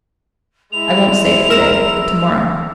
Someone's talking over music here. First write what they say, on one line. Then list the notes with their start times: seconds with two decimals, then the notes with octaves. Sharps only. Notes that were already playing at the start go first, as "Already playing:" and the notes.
I won't say it to-day, but to-morrow.
0.72 G#3 E4 F7
1.50 A#4 E6 E7